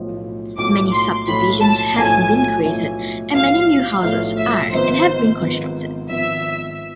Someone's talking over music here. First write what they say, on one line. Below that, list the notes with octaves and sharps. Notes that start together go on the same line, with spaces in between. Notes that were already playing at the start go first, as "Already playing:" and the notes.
Many subdivisions have been created and many new houses are and have been constructed.
Already playing: B1 A2 F3
B1 A2 F3 D6
C6
B1 A2 F3 B5
A5
B1 A2 F3 A3 E4 G#5
B1 A2 F3 A3 E4
B1 A2 F3 A3 E4 F5
B1 A2 F3 A3 E4 F5
E5
G#1 G#2 F3 B3 C5
G#1 G#2 F3 B3
G#1 G#2 F3 B3 E5